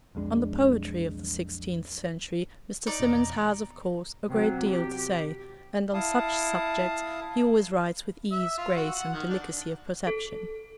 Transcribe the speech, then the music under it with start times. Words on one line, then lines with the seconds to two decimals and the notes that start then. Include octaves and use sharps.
On the poetry of the sixteenth century Mr. Symonds has, of course, a great deal to say, and on such subjects he always writes with ease, grace, and delicacy of perception.
0.15 B1 F2 G#3 D4
2.87 D#4 D5
3.00 E2 B2
4.29 C3 F#3
4.67 G4
5.94 E4 F5 A5 D#6
8.31 E5
8.57 F4
8.77 F#4
8.95 F#5
9.13 D#3
9.30 D4
10.07 A4